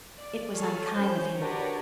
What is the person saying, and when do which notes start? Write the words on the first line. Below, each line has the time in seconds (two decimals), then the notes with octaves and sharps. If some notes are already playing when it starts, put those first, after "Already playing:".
It was unkind of him.
0.17 D5
0.54 G#4 A4 C#5 F6
0.94 C#4 C5 G6
1.35 D4 F#4 G4 A#4 B4 C#5